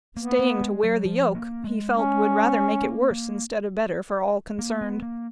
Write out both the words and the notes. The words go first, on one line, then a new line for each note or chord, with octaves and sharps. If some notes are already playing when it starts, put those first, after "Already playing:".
Staying to wear the yoke, he felt would rather make it worse instead of better for all concerned.
A#3 B3
A#3
G#3
F#3
F3
A#3
G#3
C#4
A#3
A#3
A#3
B3
A#3